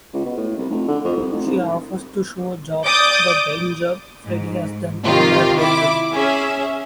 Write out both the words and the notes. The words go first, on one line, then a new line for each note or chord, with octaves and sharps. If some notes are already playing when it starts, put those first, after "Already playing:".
She offers to show George the paint job Freddie has done in her bedroom.
C#2
B2
A2
C2
F1
D3
F2
C2
F1
C2
D5 D6 D#6 G6
G#2
C3 D#3 F4 G4
E4 D6
C#4 G#4 E5